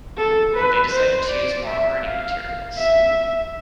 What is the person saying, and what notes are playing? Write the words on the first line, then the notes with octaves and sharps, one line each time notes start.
They decided to use more "hearty" materials.
A4
B4
C5
D5
E5
F5
E5